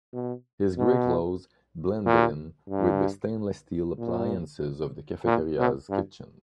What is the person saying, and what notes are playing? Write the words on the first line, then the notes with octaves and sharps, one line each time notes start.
His gray clothes blended in with the stainless steel appliances of the cafeteria 's kitchen.
B2
B2
A#2
G2
A#2
A#2
B2
G2